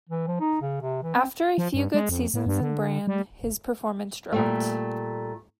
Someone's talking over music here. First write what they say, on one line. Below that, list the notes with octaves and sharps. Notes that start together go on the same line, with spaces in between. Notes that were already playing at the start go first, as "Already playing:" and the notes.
After a few good seasons in Brann, his performance dropped.
E3
F3
D#4
C#3
C3
E3
C4
F3
G2
G#3
F2
A2
G2
D3
G3
A#2 G3 A3